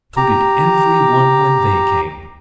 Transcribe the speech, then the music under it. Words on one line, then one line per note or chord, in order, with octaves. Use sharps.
So did every one when they came.
G4 A#5